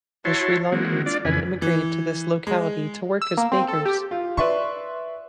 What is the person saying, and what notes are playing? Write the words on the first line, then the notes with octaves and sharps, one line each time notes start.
The Sri Lankans had immigrated to this locality to work as bakers.
E4 F#4 C#5 A5 C6
E3 G#3 A#3 C4 F#4
D4 F4 D5
F2 C#3 E3 B4 G#5
E3
G#3
E6
A#3
C4
A4
G4
F4
B4 D5 E5 C6 C#6